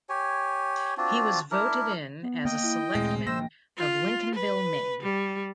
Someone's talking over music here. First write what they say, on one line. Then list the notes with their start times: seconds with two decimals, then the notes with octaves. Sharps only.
He was voted in as a selectmen of Lincolnville, Maine.
0.09 G4 C#5 G#5
0.97 C4 D4 F4 F#4
1.51 D4 E4 A#4
2.23 B3
2.45 A#3 D#5 G5
2.64 E4
2.95 A#2 G#3 A3 C4
3.27 F3 A#3 C5 G5 E6 A#6
3.77 F4
4.35 B4
5.03 G3